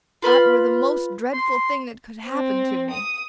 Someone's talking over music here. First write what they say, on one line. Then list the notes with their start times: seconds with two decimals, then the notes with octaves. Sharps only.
That were the most dreadful thing that could happen to me.
0.22 F4 B4 B5 F6
1.33 C6
2.27 C4
2.91 D#6